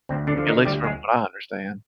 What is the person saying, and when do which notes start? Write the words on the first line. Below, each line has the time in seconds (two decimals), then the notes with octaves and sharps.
at least from what I understand.
0.09 D2 C4
0.27 D3 D4
0.37 D3 F3
0.47 D#3 D#4
0.65 D2 G3 G4
0.84 G#3 G#4